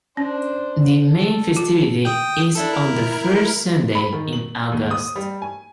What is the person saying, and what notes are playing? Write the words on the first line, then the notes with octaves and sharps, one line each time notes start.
The main festivity is on the first Sunday in August.
C#4 D4 C5
A4
F4
G5 D#6
D4 E4 A4
E4 A#4
B5
D#3
F#7
D#2
D#6
G3
G#5